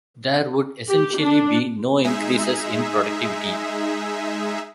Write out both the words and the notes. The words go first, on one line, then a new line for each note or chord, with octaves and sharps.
There would essentially be no increases in productivity.
G4
D4
G#3 D#4 G#4 E5